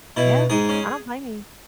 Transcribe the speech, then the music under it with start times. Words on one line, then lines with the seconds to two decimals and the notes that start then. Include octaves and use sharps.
Yeah. I don't blame you.
0.17 B2 E4
0.50 G#2 G#4
0.69 C#4